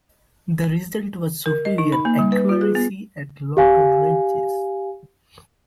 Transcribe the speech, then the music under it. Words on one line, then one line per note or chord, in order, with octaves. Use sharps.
The result was superior accuracy at longer ranges.
A#4
D#5
D#4
B5
A#3
G3
B4
F4
G#4
B3
G4 F5 G#5